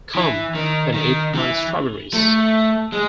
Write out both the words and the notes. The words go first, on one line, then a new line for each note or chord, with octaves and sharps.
Come, and eat my strawberries.
E3
D#3
D#3
E3
A3
G#3